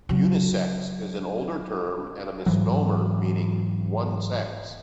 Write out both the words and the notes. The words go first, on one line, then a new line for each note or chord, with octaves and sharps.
"Unisex" is an older term, and a misnomer meaning "one sex".
C#3 F#3
G#2 E3 F#3